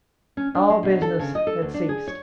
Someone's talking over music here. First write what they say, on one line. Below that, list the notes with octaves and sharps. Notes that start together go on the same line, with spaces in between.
All business had ceased.
C#4
D4
G#3
B2
A4
C#3
D#5
A4
D2
D4
G#4
C#5